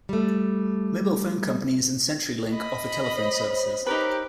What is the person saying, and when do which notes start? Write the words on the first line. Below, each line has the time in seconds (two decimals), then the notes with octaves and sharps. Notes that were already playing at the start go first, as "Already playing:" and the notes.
Mobile phone companies and Century Link offer telephone services.
0.09 G3 A3
2.51 D#5 B5
3.16 C5 C#5
3.86 D#4 G4 A#4 B4